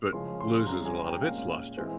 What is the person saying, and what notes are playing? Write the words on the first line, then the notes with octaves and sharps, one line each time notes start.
but loses a lot of its luster.
C#3 F3 G#3 C#4 C6
C6
C3 G3 C#4 A#5
G#5
G5
A#2 G#3 C#4 F5
E3 G#3 C4